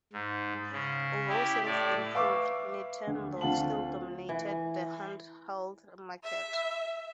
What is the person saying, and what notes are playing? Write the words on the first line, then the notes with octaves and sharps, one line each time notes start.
Although sales improved, Nintendo still dominated the handheld market.
G#2
C#3
E4 G4
A2 D5
B4 E5 F5 C#6 D6 E6
D2
D2 C4 F4 F#5 A5 F#7
E3
E5